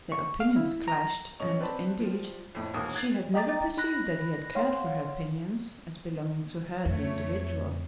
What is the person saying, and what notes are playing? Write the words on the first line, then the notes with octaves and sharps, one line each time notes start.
Their opinions clashed; and indeed, she had never perceived that he had cared for her opinions, as belonging to her, the individual.
C#6
F5
E4
A#5
D#1 C#3 C#4 D#5 C#6 F7
C4 B4 C5 D5 A5 B5
F3 G3
F2 A2
E1 D#2 A#2 F5 D6 D#6
F#6 G#6 A6 C7
D#5 G5 A#5 D6 A6
D#4 B5 F#6 A#6
C#5 F5 F#5 C6
F2 F#3 A3 C#5